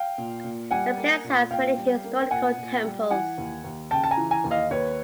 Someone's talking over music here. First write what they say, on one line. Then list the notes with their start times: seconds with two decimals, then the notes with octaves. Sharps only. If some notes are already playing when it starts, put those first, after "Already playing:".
The place has many historical temples.
Already playing: F5 G5
0.18 A#2
0.44 A#2
0.71 G3 F#5 G#5
0.98 A#3
1.24 A#2
1.51 A#2 F5 G5
1.78 G3
2.04 A#3
2.19 G5
2.31 A#2 F#5 G#5
2.58 A#2
2.84 G3
3.10 E3 F#5 G#5
3.38 D#2
3.64 D#2
3.91 C#3 G5 A5
4.04 A5
4.11 G#5 A#5
4.17 E3
4.31 G#5 A#5
4.44 D#2
4.51 D#5 F5
4.71 D#2 B4 C#5